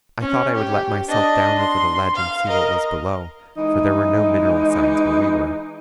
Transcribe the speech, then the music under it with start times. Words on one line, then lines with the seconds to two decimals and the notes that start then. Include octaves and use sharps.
I thought I would let myself down over the ledge and see what was below, for there were no mineral signs where we were.
0.21 C#4
0.56 G4
1.08 D4 D#5
1.58 C6
2.16 F5
2.48 A#4 D#5
3.56 E3 G#3 D#4